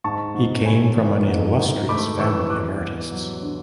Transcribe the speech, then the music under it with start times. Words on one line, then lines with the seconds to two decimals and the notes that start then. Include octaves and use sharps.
He came from an illustrious family of artists.
0.04 G#2 A5 C#6
0.35 G#2
0.66 A3 G#5 B5
0.97 E3
1.27 G#2
1.58 G#2
1.89 A3 B5 D6
2.20 E3 C#6 E6
2.50 E2 D6 F#6
2.81 B3
3.11 F#3
3.42 D3